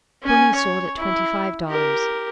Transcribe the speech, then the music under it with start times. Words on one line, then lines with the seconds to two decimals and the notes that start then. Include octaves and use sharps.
Ponies sold at twenty-five dollars.
0.23 C#4 G#5
0.55 C#5
0.97 E4
1.68 G4 A#4